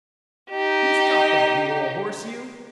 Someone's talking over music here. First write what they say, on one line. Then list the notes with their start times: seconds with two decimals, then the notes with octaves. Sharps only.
"You stop that, you ole horse, you!"
0.49 D#4 G4